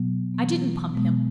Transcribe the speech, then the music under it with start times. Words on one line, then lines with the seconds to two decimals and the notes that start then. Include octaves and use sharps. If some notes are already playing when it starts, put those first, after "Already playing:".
I didn't pump him.
Already playing: B2 F#3 B3
0.34 E3 B3
0.94 B2 G#3 B3